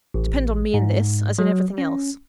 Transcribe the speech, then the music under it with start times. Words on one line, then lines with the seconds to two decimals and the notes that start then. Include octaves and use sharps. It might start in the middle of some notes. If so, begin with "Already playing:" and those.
Depend on me in this, as in everything else.
0.14 A1
0.74 G#2
1.39 F#3
1.78 C#4